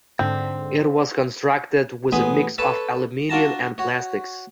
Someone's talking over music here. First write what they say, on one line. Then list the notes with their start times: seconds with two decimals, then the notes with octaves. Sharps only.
It was constructed with a mix of aluminium and plastics.
0.19 G#2 D3 C4
2.12 A1 B3 G#4 G#5 B5
2.58 A4 B4 C#5 A5
3.30 D4 F4 F#4 A5 A#5
3.78 F#4 C#5